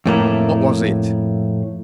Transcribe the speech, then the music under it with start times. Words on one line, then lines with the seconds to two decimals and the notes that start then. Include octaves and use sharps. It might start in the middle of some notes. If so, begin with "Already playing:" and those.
"What was It?"
0.06 F2 A2 A#3 E4